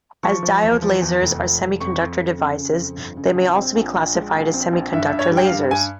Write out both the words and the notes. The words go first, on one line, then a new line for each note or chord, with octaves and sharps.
As diode lasers are semiconductor devices, they may also be classified as semiconductor lasers.
F3 C#6
F3
E2
F3
E2
F1
F3
F1
F2 C#6
F2
F2
C#3
C#3
F2
G1
C#3
A#1
C4
A#1
A#1
G#3
A#1
C4
A#1
G2 E5
E5
G2
C#5
G3
G5
F5
G2
G2 G#5